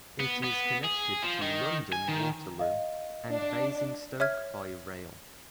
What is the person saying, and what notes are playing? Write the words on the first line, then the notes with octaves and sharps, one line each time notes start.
It is connected to London Waterloo and Basingstoke by rail.
B3
B3
G#4
F3
D#3
G#5
D#3
D#5 F5
D4
C#5 E5 F6 G#6